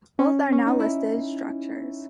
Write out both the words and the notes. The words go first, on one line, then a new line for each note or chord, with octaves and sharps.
Both are now listed structures.
C#4
C#4
D#4
E4